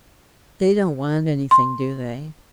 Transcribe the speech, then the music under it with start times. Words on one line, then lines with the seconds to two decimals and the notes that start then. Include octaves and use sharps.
"They don't want anything, do they?"
1.51 C6